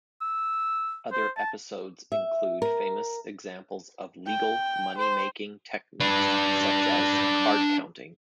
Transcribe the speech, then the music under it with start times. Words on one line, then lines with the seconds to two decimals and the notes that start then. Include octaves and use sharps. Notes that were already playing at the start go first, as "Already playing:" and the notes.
Other episodes include famous examples of legal money-making techniques such as card counting.
0.21 E6
1.12 C5
1.37 A5
2.12 E5
2.62 A#4
4.27 G5
4.98 C5
6.00 D4 B4